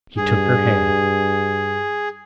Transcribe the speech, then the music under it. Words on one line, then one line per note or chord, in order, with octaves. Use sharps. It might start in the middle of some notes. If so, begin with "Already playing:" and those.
He took her hand.
G2 G#4